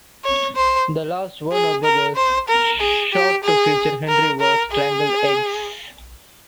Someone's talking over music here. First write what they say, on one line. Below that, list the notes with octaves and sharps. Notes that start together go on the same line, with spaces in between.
The last Warner Brothers short to feature Henery was "Strangled Eggs".
C#5
C5
G#4
A#4
C5
A#4
G#4
G4
G#4
A#4
A#4
G#4